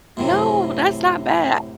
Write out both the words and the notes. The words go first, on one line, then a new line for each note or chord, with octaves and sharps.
No, that's not ba
F#2 A2 C3